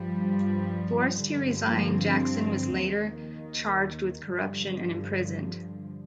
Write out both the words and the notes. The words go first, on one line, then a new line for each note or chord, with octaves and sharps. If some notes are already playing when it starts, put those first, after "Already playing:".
Forced to resign, Jackson was later charged with corruption and imprisoned.
Already playing: G2 F3 G3
G2 D3 F3
A#3
C4
D#2 D#3
G2 D3 F3